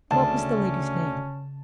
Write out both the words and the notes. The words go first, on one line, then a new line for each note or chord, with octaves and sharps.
"What was the lady's name?"
D2 C#3 C#4 A5